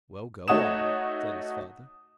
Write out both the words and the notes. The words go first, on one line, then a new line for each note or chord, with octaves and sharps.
"Well, go on," said his father.
A3 D#4 F#4 C#5 D#6 E7